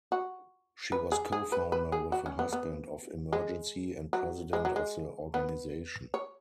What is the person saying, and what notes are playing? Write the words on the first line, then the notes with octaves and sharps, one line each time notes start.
She was co-founder with her husband of Emergency and president of the organization.
F#4
B4
G#4
G#4
B4
B4
G#4
F#4
C#4
B3
B3
G#3
F#3
G#3
F#3
G#3
B3
C#5